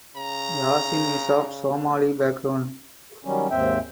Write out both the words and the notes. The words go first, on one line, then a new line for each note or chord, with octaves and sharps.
Yasin is of Somali background.
C#3 A#5
D#3 F#3 G3 C#4
D#2 G#2 C4 E5 G5